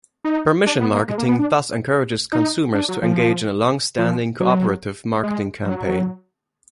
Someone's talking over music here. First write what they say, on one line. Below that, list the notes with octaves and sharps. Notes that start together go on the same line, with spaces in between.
Permission marketing thus encourages consumers to engage in a long-standing, cooperative marketing campaign.
D#4
D4
B3
A#3
G#3
A#3
B3
D4
D#4
D4
F#3
F3
F3
F#3
G#3
F#3